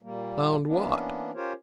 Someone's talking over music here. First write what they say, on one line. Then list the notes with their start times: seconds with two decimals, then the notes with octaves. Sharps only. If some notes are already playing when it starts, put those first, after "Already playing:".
"Found what?"
0.02 A#2 G3 A#3
0.67 E3 A#3 B3 C#4 D4
1.35 C#4 F4 G4 A#4 C5 C#5